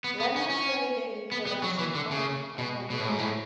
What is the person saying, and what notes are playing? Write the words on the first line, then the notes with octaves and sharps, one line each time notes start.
Lennon played the introduction on harmonica.
B3
B3
C#4
C#4
B3
B3
F#3
E3
D3
C#3
B2
B2
A2
G#2
A2